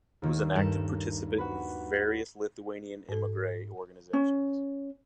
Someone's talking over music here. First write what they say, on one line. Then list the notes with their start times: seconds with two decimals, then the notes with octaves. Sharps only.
He was an active participant in various Lithuanian emigre organisations.
0.22 D#2 D#3 A#3
0.55 G2 A4 A#4
1.38 F#4 B4 B5
3.09 G#2 A4
4.13 C#4